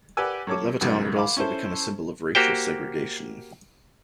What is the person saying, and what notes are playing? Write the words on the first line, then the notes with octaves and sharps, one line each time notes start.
But Levittown would also become a symbol of racial segregation.
G4 B4 D5 F#5 G#5 E6
F#2 A4 C#5 D6
C#2 F#2 B2 D#3 G3
F5 B5 D6
C#4 E4 A4 C5
A#3 F#4 G4 C5 G5